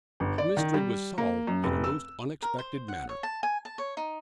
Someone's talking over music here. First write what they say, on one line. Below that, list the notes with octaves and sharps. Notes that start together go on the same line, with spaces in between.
The mystery was solved in a most unexpected manner.
G1
D5
D#3
G3
A#3
F#2
F1
E6
A#4
C5
F#5
C#5
A5
G#5
A5
C#5
D#4